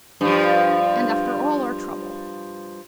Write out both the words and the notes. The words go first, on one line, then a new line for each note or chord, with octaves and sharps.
'And after all our trouble!
G2 F3